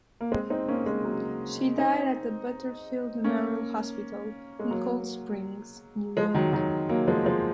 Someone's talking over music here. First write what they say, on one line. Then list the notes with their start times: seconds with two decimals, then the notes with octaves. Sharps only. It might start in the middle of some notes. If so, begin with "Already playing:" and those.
She died at the Butterfield Memorial Hospital, in Cold Springs, New York.
0.21 A#3
0.32 G#3 C4
0.50 C4 D#4
0.68 A#3 C#4
0.86 G#3 C4
1.05 F#3 A#3
1.78 C4 D#4
3.24 A#3 C#4
4.59 G#3
4.70 F#3 A#3
6.17 F3 G#3
6.35 D#3 F#3
6.53 D#3 F#3
6.89 F#3 A#3
7.08 F3 G#3
7.26 F3 G#3